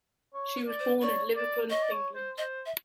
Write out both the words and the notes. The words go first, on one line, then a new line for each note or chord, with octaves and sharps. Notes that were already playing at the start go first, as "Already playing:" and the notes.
She was born in Liverpool, England.
C#5
B4
D5
C5
C#5 D5
D5
C#5 D#5
D5
C#5
C5
C5 D#5
E5